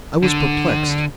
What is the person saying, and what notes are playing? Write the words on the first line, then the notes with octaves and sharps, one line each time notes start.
I was perplexed.
D3